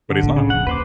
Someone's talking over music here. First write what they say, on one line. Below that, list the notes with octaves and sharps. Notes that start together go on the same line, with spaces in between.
but he's not.
D3
C2 A2
C#3
D#1 F3 F#5
D#2 B4 C5 D6